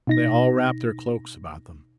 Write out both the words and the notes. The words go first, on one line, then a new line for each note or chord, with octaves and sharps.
They all wrapped their cloaks about them.
B2 D#4 A#6